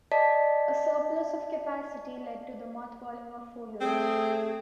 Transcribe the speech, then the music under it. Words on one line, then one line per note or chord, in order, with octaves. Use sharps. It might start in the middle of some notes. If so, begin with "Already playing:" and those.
A surplus of capacity led to the mothballing of four units.
D5 D#5 A5 B6
A3 C4 G#4